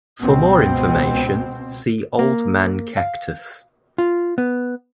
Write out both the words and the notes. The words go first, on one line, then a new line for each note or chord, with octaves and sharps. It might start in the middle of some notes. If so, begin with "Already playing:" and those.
For more information see Old-Man Cactus.
C#2 B2 C4
A#3
F5
F4
B3